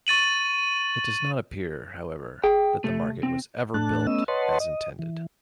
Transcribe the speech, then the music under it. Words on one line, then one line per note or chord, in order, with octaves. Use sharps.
It does not appear, however, that the market was ever built as intended.
C#6 A6 D#7 F#7
G#4 G5
C3 A3
C4
A2 A3 D4 A5 F#6
A3 B3 C#4 D#5 E6
B4 C#5 D#5 F#5 A5 C6
D#5
E3